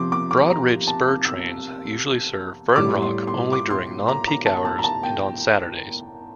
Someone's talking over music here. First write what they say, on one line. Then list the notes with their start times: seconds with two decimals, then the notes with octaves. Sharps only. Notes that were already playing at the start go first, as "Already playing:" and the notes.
Broad-Ridge Spur trains usually serve Fern Rock only during non-peak hours and on Saturdays.
Already playing: C3 F3 C6 D6
0.12 D6
0.31 D6
0.50 A#5
0.87 A5
1.25 E6
2.76 A2 G3 D6
3.02 C6
3.27 C6
3.53 D6
3.70 C6
4.08 A#5
4.28 A#5
4.46 A5
4.65 A5
4.79 A#5
4.84 A5
5.03 G5